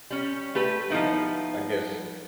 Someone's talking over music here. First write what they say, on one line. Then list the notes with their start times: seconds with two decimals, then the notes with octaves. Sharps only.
you know I guess
0.11 G3 C#4
0.55 A3 G4 B4
0.90 F3 B3 D#4 E4